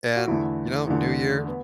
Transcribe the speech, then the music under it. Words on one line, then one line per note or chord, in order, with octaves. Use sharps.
And, you know, new year,
F#4
E2 D3 A3 E4
E2 D3 A3
B3